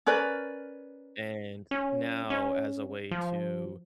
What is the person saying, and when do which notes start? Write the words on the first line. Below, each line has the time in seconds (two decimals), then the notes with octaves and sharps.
And now as a way to
0.06 C#4 A#4 B4 D5
1.71 C#4
2.30 C#4
3.11 F3